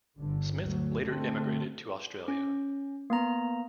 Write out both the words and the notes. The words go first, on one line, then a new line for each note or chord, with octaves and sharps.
Smith later emigrated to Australia.
G1 D3
D2 F#3
D3 A3 C4
C#4
A#3 B3 A#5